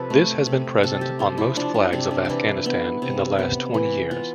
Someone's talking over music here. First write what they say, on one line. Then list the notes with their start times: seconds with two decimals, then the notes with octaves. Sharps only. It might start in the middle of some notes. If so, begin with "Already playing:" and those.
This has been present on most flags of Afghanistan in the last twenty years.
Already playing: C3 F3 A4 B4
0.10 A3
0.47 C3
0.83 C3 A4
1.01 G4
1.19 F3 F4
1.38 E4
1.56 F3 D4
1.74 D4
1.93 C3 D4
2.11 D4
2.25 E3 D4 E4
2.66 B3
3.02 C3
3.39 B3
3.74 E3
4.11 B3 F4